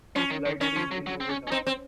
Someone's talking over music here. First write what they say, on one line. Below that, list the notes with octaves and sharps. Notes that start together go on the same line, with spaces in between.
Light will win over darkness.
F3 C#4
D#3
D#3
D#3 C#4
F3
F#3
F#3
C4
C#4
C#4
C4 D#4
C4